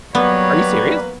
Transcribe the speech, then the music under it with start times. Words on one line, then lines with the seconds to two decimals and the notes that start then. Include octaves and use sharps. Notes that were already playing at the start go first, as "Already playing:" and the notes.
Are you serious?
0.15 F#3 G3 A#3 B3 B4 C#5 D5 B5